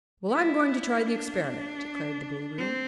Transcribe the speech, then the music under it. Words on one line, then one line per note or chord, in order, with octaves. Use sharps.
"Well, I'm going to try the experiment," declared the Boolooroo.
E4
D4
C4